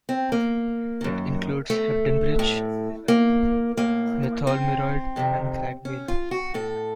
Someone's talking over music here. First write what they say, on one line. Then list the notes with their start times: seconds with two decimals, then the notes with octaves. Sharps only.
It includes Hebden Bridge, Mytholmroyd and Cragg Vale.
0.09 C4
0.32 A#3
1.01 F#2 D#3
1.70 A3
2.39 A2
3.08 A#3
3.77 A2 A#3
4.47 C4
5.16 F2 C3 D#3
5.85 C#4
6.08 F4
6.31 F#4
6.54 A2 A4